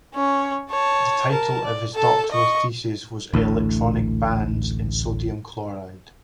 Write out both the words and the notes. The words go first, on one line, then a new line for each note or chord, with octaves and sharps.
The title of his doctoral thesis was "Electronic Bands in Sodium Chloride".
C#4 C#5
C#5 A5
A#4 A5
D5
A4 A5
D#5 C#6
A1 D2 A2